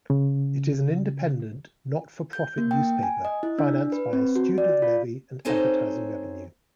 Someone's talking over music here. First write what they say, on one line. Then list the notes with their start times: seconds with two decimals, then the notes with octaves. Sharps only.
It is an independent, not-for-profit newspaper financed by a student levy and advertising revenue.
0.10 C#3
2.33 G6
2.58 A#3
2.71 G5
3.03 G#5
3.25 D#5
3.43 E4
3.59 D4
3.92 B4
4.13 C4
4.36 F#4
4.58 D5
4.82 F4
5.45 C4 D#4 A4 C5 C#5 G#5